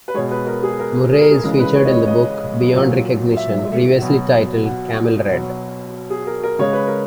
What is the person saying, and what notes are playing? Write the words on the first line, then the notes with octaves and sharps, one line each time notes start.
Murray is featured in the book "Beyond Recognition", previously titled "Camel Red".
B4
B2 G#3 C#5
B4
A#4
G#4
A#4
G#4
A#4
G#4
C#3 E3 G#3 A#4
B4
C#5
D#5
C#5
D#5
A#2 F#3
E5
B2 F#3
F#5
B2 F#3
G#4
A#4
A#4
C#3 G#3 C#5
B4
A#4